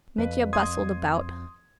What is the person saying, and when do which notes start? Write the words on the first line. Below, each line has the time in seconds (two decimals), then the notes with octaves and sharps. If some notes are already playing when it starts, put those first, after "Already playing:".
Mitya bustled about.
0.18 F2 B4
0.53 C6 D#6 G#6